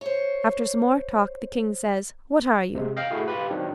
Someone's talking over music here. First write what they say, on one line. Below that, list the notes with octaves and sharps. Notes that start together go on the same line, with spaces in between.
After some more talk the king says, "What are you?"
C5 C#5
C3 G#3
D#5 F5 G5
A3 E4 F#4 G#4
F4 G4 B4
D#3 F#3 C4 D4